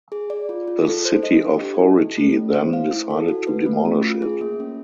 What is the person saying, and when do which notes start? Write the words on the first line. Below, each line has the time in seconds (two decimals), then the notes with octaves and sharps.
The city authority then decided to demolish it.
0.12 G#4
0.30 D5
0.49 F4
0.68 F4
0.86 A4
1.05 C5
1.23 D#5
1.42 D4
1.61 G4
1.80 E4
1.98 A4
2.17 A3
2.36 C#4
2.54 C5
2.73 F5
2.91 E4
3.11 A4
3.28 F#4
3.47 B4
3.66 A3
3.85 C#4
4.03 F4
4.22 G#4
4.41 A#3
4.60 C#4